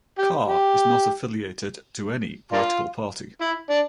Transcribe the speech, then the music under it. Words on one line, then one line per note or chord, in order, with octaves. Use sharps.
Khair is not affiliated to any political party.
G4
G4
A#3 D4 F4
E4
D4